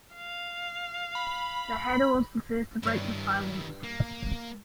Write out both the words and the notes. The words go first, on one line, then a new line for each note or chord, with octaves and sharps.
The Hatter was the first to break the silence.
F5
B5
G2 D#3 E4 C#5
A#3